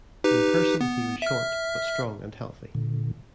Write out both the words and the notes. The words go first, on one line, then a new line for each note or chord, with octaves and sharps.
In person, he was short, but strong and healthy.
D#4 G4 B4
B3
E5 F6
A#2 D3